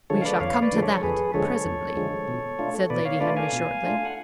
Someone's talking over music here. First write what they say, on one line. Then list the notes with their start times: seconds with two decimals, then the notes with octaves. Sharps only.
"We shall come to that presently," said Lady Henry, shortly.
0.10 D3 F3 G#3 A4 C#5
0.21 F5
0.25 B4 D5
0.40 F2 C#5 F5
0.62 B4 D5
0.72 D3 F3 G#3
0.82 A4 C#5
1.03 F2 G#4 B4
1.34 D3 F3 G#3 A4 C#5
1.65 F2
1.97 D3 F3 G#3
2.28 B2
2.59 A3 D4 F4
2.90 B2 B4 D5
3.05 C#5 F5
3.20 A3 D4 F4 B4 D5
3.37 F5 G#5
3.53 B2
3.83 A3 D4 F4
4.05 F#5